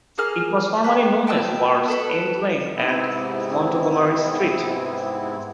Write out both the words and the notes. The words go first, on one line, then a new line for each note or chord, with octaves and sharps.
It was formerly known as Worlds End Lane and Montgomery Street.
A#3 G#4 F6
B4 G5 B5
B4 G5 A5 E6
A4 B4 B5
G#2 C3 B3 C4 E4